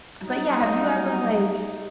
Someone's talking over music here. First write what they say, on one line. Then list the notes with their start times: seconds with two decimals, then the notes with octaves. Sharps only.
but, yeah, have you ever, like,
0.23 F#3 G3 D#4